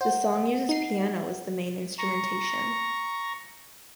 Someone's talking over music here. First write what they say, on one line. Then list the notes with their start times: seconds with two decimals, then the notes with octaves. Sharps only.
The song uses piano as the main instrumentation.
0.01 C5 F#5
0.69 D#4 C7
1.99 A#5 C#6